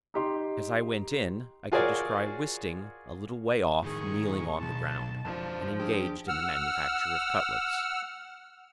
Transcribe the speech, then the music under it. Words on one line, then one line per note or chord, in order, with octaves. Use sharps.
As I went in, I could descry Wisting a little way off kneeling on the ground, and engaged in the manufacture of cutlets.
D#4 G4 C6
F4 F#4 G#4 A#4 C#5 D5
A2 D#3 G#4 C#6
B1 A5
F2 F3 D4 A5
D4 G4 G#4
F#5 E6 F6